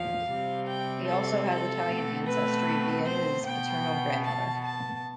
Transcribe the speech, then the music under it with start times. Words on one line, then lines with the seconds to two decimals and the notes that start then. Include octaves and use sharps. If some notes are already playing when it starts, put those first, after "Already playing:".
He also has Italian ancestry, via his paternal grandmother.
Already playing: E2 F3 F5
0.27 C3 G3 C4
0.67 G5
1.06 A4
1.47 A4
1.87 B2 A3 C4
2.26 B4
3.05 C5
3.45 B2 B3 G5
4.24 A5
4.64 A5